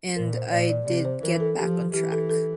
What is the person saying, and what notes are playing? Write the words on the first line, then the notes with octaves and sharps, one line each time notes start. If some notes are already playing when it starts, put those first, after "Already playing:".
And I did get back on track.
A#2 A#4
C5
A#2 D5
D5
C3 D5
C5
E3 A#4
A4
F3 G4
E3 G4
A4
A4